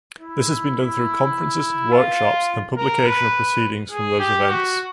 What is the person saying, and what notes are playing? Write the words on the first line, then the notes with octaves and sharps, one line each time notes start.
This has been done through conferences, workshops and publication of proceedings from those events.
E4
E4
F4
A#4
B4
G#4
G4
F#4